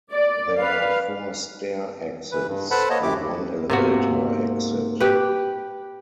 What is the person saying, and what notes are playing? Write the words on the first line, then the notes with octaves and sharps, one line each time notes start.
There are four stair exits and one elevator exit.
D5
B4 F5
E3 B4
G2
A4 B4 C5 F#5 A5 B5
A#3 C#5 D#5 A5
F#2 E4 G4 D6
G#2 C3 A#3 B3 F#4
G4 B4